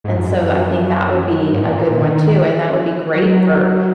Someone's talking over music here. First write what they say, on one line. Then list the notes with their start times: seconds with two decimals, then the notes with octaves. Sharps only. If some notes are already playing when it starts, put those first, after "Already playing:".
and so, I think that would be a good one too, and that would be great for,
0.04 G#2
0.15 F#2
1.53 G#2
1.64 A#2
2.02 D#3
3.13 F#3